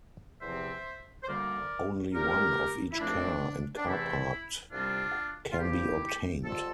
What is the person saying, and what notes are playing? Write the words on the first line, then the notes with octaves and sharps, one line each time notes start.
Only one of each car and car part can be obtained.
E2 C3 F3 C4 C5 E5
C5
D2 D3 G3 A#3 A#4 D5
A#2 A3 C4 G4 A#4
E4
A#2 F3 A3 C4 D4
D4
E2 C3 E3 A3 C4 E4
C2 C3 G3 C4 D4 F4
F4
G2 F3 A#3 E4 G4
F2 D3 G3 F4 A4